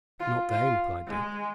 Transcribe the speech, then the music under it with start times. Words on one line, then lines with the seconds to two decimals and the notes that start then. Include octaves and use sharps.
"Not they," replied Dick.
0.20 F4
0.50 F4
1.08 G#3